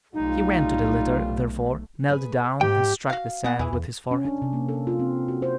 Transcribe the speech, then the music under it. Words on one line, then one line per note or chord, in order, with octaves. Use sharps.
He ran to the litter, therefore, knelt down, and struck the sand with his forehead.
B1 G3 A3 D#4 F4
G#4 B4
G#2 G4 G5
F#4 F5
B3 G#4 F#5
E2 E3 G#4
E2
C#4
D4
C3
A#3
A4
F4
C4
F#4
C5